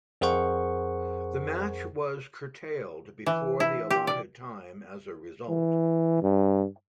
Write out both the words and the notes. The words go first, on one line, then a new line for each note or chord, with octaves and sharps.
The match was curtailed before the allotted time as a result.
F2 G#4 A#4 C5 F#5 C#6
E3
E4
G4
D5
E3
G2